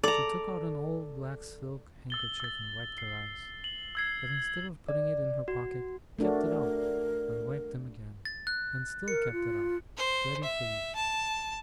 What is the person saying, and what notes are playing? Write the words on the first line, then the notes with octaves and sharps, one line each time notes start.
She took out an old black silk handkerchief and wiped her eyes; but instead of putting it in her pocket, kept it out, and wiped them again, and still kept it out, ready for use.
A4 D5 A#5
E6 A6 G7
E6 A6
C7
F#7
E6 G#6 C7
D5
F#4
A3 D4 F#4 A#4
A6
F#6
A#4 C#7
F4
C5
E5
A5